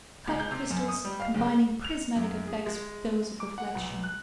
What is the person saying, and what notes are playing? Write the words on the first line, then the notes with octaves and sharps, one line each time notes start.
Cut crystals combining prismatic effects with those of reflection.
C#2
G6
C3
F#2
D#6
G3
F5
F#1
F7
F#2
G#4
G#3
D6
F#5
B1
F#6